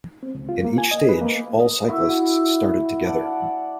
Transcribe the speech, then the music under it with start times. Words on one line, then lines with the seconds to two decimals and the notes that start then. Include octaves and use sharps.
In each stage, all cyclists started together.
0.23 C4
0.35 C#2
0.49 F4
0.65 A#3
0.78 G#5
0.91 D#5
1.09 B4
1.21 A#3
1.59 D#5
1.88 E4 F#4
3.04 D5 F#5 A5